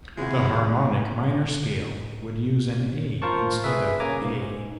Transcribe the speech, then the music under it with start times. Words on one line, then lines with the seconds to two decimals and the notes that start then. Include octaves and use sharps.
The harmonic minor scale would use an A instead of A.
0.17 D#2 C3 G#3 E4 F#4 G#4
3.22 F4 A#4 C5 A5 C#6
3.64 G#4 B4 E5
4.00 C#3 A#3 G#5 A#5 D6
4.21 G#2